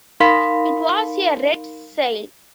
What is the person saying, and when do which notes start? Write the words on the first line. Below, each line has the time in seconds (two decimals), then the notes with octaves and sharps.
It was a red sail.
0.20 D#4 A#4 F5 B5 C6 B6